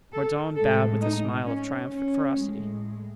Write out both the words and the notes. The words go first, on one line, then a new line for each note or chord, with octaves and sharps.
Mordaunt bowed with a smile of triumphant ferocity.
A4
A2 G#3 A4
D#4
C#4
C#4
A2 G#3